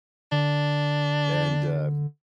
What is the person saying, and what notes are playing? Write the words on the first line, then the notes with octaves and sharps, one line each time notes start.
and, um
D3 D4